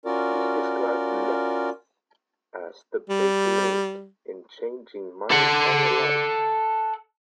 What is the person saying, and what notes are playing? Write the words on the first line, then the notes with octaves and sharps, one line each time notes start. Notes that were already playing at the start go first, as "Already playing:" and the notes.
He described Letts as "the big link in changing my entire life".
C#4 F4 F#4 A#4 D5
G3
A4 F#5